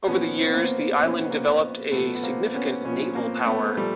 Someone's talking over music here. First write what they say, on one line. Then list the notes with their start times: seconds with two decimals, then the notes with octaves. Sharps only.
Over the years the island developed a significant naval power.
0.07 A#2 F3 B3 C#4
0.38 C4
0.46 B3
0.54 A#3 C4
0.99 A#2 F3 B3 C#4
1.20 B3
1.30 A#3 C4
1.92 A#2 F3 A3 B3
2.15 B3
2.23 A#3 C4
2.54 B3 C#4
2.85 A#2 F3 B3 C#4
3.15 A#3 C4
3.46 A3 B3
3.77 A#2 F3 G3 A3